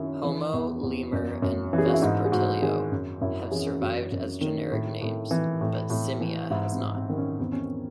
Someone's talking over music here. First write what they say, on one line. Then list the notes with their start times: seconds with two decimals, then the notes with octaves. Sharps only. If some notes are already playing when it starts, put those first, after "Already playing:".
"Homo", "Lemur", and "Vespertilio" have survived as generic names, but "Simia" has not.
Already playing: F#2 D#3 E4
0.23 E3
0.53 E2
0.83 E2
1.12 F#2
1.42 F#2
1.73 E3
1.78 G#4
1.86 F#4
1.94 E4
2.02 G#2 D#4
2.25 G#4
2.32 G#2 F#4
2.62 D#3 G#4
2.92 F#2
3.21 F#2 E4
3.51 E3 G#4
3.81 F#2 F#4
4.12 F#2
4.41 D#3
4.71 A2
5.01 A2
5.31 E3
5.61 A2
5.90 A2
6.20 E3
6.50 G#2 E4
6.72 C4
6.80 G#2
6.95 C4
7.09 D#3 C4
7.17 C#4
7.39 E2 C4
7.52 C#4
7.64 C4